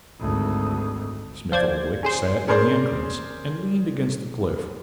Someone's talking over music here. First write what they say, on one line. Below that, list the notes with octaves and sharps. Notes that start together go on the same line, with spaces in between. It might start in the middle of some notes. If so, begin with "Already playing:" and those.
Smith-Oldwick sat in the entrance and leaned against the cliff.
G#1 D2
F3 C5 D5 G#6
C#4 G#4 C5
C#4 G#4 A#4 C5 D5 C6